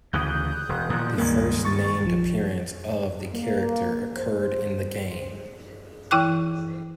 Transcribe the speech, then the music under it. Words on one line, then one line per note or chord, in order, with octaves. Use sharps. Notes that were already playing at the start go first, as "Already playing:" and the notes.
The first named appearance of the character occurred in the game "".
D2 C#3 E3 D#6 F#6 G6
E1
A#2 D#3 F3
C#2 G2 D#3 G#3 A#3
C#6 A6
A#1 F3
A#3
C5
E3 E4 G5 D6 F#6